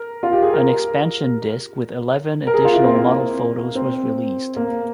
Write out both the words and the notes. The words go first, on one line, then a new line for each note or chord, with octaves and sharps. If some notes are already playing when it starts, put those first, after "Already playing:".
An expansion disk with eleven additional model photos was released.
Already playing: A#4
F4
G4
G#4
A#4
A#4
G#4
F4
E4
C4
A#3
C4
A#3